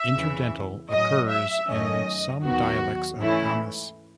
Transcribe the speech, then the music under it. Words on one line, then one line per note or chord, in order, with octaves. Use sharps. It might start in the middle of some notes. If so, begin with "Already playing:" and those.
Interdental occurs in some dialects of Amis.
Already playing: E5
E2 C#3 E3
A2 F#3 C#4 D#5
E5
F#2 D#3 A3 C#4 D#5
D#2 D#3 F#3 B3 F#4
G#2 E3 A3 C#4 E4